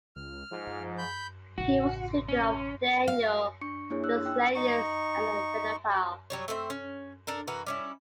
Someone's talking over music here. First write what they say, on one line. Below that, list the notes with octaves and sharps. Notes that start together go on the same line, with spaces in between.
He was a student of Daniel Juslenius and a Fennophile.
C#2 F6
G#2 F3
B5 G6
A1 C#3 F#4
C#4
F5
D4 C#6 C#7
A#3 D4 E4 G#4 C#5
D4 E6 F#6
D#4 G5 E6 F#6
D#4 C#6
F#3 G3 C#5
A3 C4 C5 E5
C#4
D4 A4 A#4
E3 F#4 A#4 B4
G3 C#4 E4